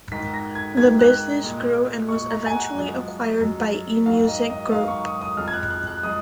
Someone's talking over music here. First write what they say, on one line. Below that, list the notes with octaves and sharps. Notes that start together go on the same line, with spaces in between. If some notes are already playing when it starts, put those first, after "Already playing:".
The business grew and was eventually acquired by eMusic Group.
G#2 D#3 G#3 B6
A#6
G#6
G#2 D#3 G#3 G#6
F#6
A#2 G#3
A#2 G#3 C#6
A#5
G#5
F#5
F#2 F3 G#3
F#2 F3 G#3
G#2 D#3 F#3 F5
D#5
D#5
G#2 D#3 F#3 F5
C#6
D#6
D#6
F2 F3 G#3 F6
G#6
F#6
F#6
F#6
F3 G#3 D#6